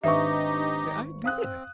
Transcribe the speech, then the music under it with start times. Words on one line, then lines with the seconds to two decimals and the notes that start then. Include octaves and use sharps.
The idea!
0.04 G#1 D4 D#4 G4 B4 D#5 E5 C#6
1.24 C4 C5 F5 D#6 F#6